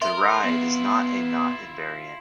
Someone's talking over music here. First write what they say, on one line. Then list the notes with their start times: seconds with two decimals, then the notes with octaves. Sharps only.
The writhe is not a knot invariant.
0.02 A#4 E5 C6
0.43 B3 E4 F4